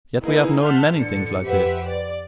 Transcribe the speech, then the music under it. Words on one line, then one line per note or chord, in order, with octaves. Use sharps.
Yet we have known many things like this.
A#3 B3 D#4 E4 G#4
E5 F#5 A5 C6 F6 G6
A1 D3 C#7
F2 G4 B4 C5 E5 F#5
D5